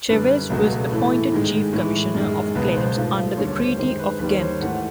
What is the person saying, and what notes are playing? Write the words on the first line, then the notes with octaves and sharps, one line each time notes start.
Cheves was appointed chief commissioner of claims under the Treaty of Ghent.
F#2 D3 G3 B4
C#2 B2 F#3 A3
A2 E3 A3
G#2 D#3 G#3
A2 E3 G#3
F#2 D#3 G#3
C#2 B2 G#3 B4
C5
G#2 F3 A3
D#2 D3 G3 C#5
C5
F#2 D#3 G#3 C5
B4
D#2 D#3 G3 B4
C#5
C5
G#2 E3 A3 F#5